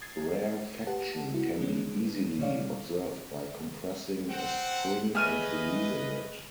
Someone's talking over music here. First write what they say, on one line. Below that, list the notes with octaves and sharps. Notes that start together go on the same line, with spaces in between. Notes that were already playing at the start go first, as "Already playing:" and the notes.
Rarefaction can be easily observed by compressing a spring and releasing it.
D#6 G#6 A6 C7
G4 B4 F#5 A5
E4 F#4
D3 G#3 B3 C#4 D#4
B2 D3 G3 C#5 D5 F5
C4 F#5
A3 G#4 B4 D#5 E5 G#5 F6 D#7